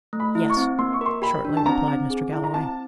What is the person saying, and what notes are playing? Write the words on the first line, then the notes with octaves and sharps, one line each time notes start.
"Yes," shortly replied Mr. Galloway.
A3
B5
E4
C#6
C4
A#3 C6
C#6
A#4 C6
G4 B5
D4
A5
C4 A#5
C4
G#4
E4
A#5
C4 A5